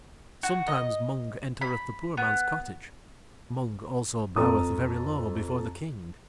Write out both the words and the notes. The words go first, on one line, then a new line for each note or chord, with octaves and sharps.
Sometimes Mung entereth the poor man's cottage; Mung also boweth very low before The King.
F#4
D#5
B5
B3
F2 A4 A#5 D#6